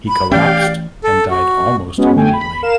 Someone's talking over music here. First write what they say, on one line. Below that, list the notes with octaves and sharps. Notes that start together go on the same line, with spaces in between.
He collapsed and died almost immediately.
B5
E3 A3 C#4 G4 D5 F5 G5
A4
F#4
G#3 B3 C#4 F#4
D3 A3 G5 G#5
B5
A#4 F5 E7